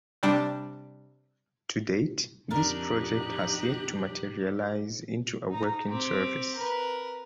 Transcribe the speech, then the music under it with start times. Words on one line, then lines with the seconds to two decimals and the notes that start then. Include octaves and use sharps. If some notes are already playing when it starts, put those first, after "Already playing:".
To date, this project has yet to materialise into a working service.
0.23 C3 G3 D4
2.51 F2 D4 D#4 G4 A#4 F#6
5.50 D#4 A#5
5.88 C4 G4
6.55 A#4 B4